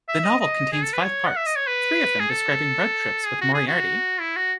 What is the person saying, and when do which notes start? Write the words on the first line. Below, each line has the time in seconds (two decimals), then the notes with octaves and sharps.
The novel contains five parts, three of them describing road trips with Moriarty.
0.08 E5
0.24 D#5
0.40 D#5
0.72 G#4
0.82 A4
0.93 B4
1.03 C#5
1.26 F#5
1.36 E5
1.46 D#5
1.56 C#5
1.67 B4
2.20 G#4
2.30 A4
3.26 G#4
3.41 F#4
3.54 G#4
3.67 F#4
4.20 E4
4.36 F#4